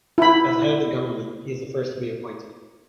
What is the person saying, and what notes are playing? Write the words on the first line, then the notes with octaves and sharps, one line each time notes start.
As the head of government, he is the first to be appointed.
E4 B5